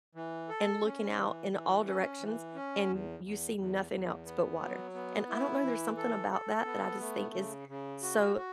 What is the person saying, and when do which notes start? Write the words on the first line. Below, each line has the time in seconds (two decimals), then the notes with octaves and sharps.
and looking out in all directions, and you see nothing else but water, and I don't know, there's something about that that I just think is so
0.15 E3
0.49 A4
0.84 C#4
1.18 E3
1.52 E3
1.87 C#4
2.20 E3
2.55 C#4
2.88 E2
3.24 E2
3.57 E2
3.92 E2
4.25 B3
4.60 F#3
4.95 B3
5.29 E4
5.63 E3
5.97 A4
6.31 A4
6.65 B3
7.00 A3
7.34 C#3
7.68 C#3
8.03 F#4
8.37 F#4